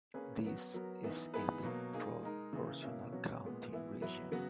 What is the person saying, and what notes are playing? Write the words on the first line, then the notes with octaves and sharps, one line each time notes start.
This is in the "proportional counting" region.
A#3 C#4 G#4 B4
F#3 B3 F#4
F#3 B3 F#4 A#4
E3 B3 D#4
E3 B3 D#4 G#4 B4
B2 F#3 A#3
A#3 D#4 G#4
G#3 D#4 A#4
C#3 E3 A#3
B2 A#3 C#4 E4
B2 F#3 C#4 F#4
A#2 G#3 B3
E3 B3 E4
F#3 B3 E4 B4
C#3 F#3 B3 F#4